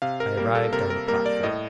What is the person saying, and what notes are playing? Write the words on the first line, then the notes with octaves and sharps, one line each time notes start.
I arrived on the platform.
C3 F5
A#4
G3 A#3 A#4
A4
C3 A#4
A#4
G3 A#3 A#4
D5
A2 D#5